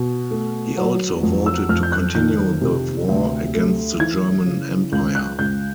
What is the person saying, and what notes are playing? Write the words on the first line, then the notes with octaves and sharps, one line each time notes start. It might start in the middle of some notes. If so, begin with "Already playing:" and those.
He also voted to continue the war against the German Empire.
Already playing: B2
A3
F#3
F2
E6
F2 F6
G6
F#6
D#3 G6
C3
D2
A3
E3 G#6
C#3
C#2 G6
F#6
C#2 G6